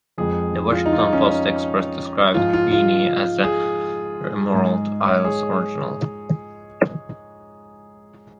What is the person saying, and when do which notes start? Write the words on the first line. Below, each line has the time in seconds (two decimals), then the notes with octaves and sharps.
The Washington Post Express described Feeney as "The Emerald Isle's Original".
0.18 F2 F3 G#3 G#4
0.71 F4
0.86 D#4
0.93 F4
0.99 D#4
1.13 C#4
1.26 C#4
2.34 G#2 F3 G#3 F4
2.53 F4
2.71 F4
3.44 G#4
4.53 G#2 G#3
5.07 C#5
5.25 G#4